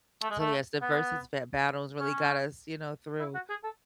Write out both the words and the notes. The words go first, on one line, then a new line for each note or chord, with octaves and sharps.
So, yes, the versus bat battles really got us, you know, through,
A3
G#3
A3
B3
C#4
E4
F#4
G#4
A4